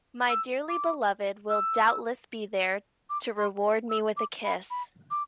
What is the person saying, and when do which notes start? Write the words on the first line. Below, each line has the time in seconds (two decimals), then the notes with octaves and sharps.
My dearly beloved will doubtless be there to reward me with a kiss.
0.29 E6
0.69 D6
1.49 E6
3.10 D6
3.37 C6
3.90 E6
4.17 D6
4.44 B5
4.70 B5
5.11 D6